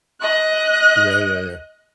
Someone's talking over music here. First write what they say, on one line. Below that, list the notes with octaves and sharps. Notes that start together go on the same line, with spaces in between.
Yeah, yeah, yeah.
D#5 F#6